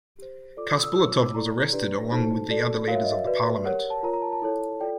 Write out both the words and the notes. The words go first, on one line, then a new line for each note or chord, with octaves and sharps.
Khasbulatov was arrested along with the other leaders of the parliament.
G4 C5
F4 A4 D5 D6
D#6
E6
F4 G#4 C#5 E6
D6
D6
E4 A4 D5 A#5
D4 G4 B4 D5
D#4 F#4 A4 C5 A5
F#4 A4 D5
F#4 A#4 C#5 F5
E5
D#5
E5
F#4 B4 D5
G4 A#4 C#5 F#5
A5
F4 A#4 C#5 A#5
A#5
A5
A5
E4 A4 C#5
F4 A4 D5 G5